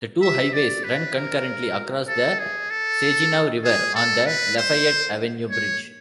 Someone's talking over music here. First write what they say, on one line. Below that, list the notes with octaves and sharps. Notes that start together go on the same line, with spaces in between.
The two highways run concurrently across the Saginaw River on the Lafayette Avenue Bridge.
E5
D5
B4
A#4
A4
G#4
A4
G#4
A4
B4
C5
C#5